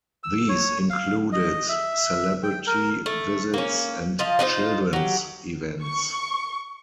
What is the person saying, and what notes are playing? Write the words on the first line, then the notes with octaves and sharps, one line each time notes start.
These included celebrity visits and children's events.
E6
C#5
F5
D#5
E5
G5
A#4
A3
A#3 C#4
F3 D#5 F5
D4 D#4 F4 C5
F#3 G4
C#6